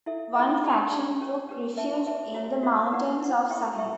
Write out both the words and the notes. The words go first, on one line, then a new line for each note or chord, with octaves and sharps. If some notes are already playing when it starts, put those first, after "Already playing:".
One faction took refuge in the mountains of Sahel.
E4 A4 E5
E4 A4 E5
D4 G4 D5 A5
D4 G4 D5 A5
C#4 G4 B4
C#4 G4 B4
B4 E5 A5
B4 E5 A5
F#4 C#5 E5
F#4 C#5 E5
E4 B4 D5 F#5
E4 B4 D5 F#5
E4 A4 E5 G5 C#6
E4 A4 E5 G5 C#6